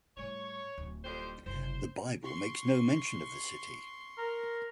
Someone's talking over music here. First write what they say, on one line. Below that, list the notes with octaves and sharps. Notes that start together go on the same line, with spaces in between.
The Bible makes no mention of the city.
A2 G3 C#5
D1 F#3
F2 G3 C5
F#1 C3 C5
C6 C#6
A#4